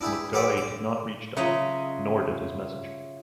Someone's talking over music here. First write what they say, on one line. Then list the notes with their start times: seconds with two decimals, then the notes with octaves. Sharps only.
McGoey did not reach Dublin, nor did his message.
0.01 D4 E4 G4 G#4
0.33 G4 A4 B4 D5 F#5 G5
0.57 D5
1.37 C#3 F#3 F4 D#5 E5